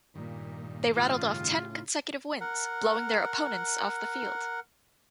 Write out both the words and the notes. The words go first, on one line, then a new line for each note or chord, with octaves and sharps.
They rattled off ten consecutive wins, blowing their opponents off the field.
G2 A#2 D#3
A2 C#3 F4
A#4 F#5